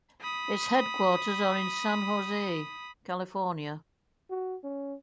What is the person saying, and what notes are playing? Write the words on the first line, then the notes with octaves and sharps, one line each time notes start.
Its headquarters are in San Jose, California.
B5 D#6
F#4
C#4